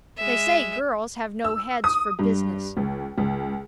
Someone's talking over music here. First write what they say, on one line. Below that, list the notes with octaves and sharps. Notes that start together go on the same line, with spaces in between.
They say girls have no heads for business.
G#3 E5
E6
D#6
G2
C#2
C#2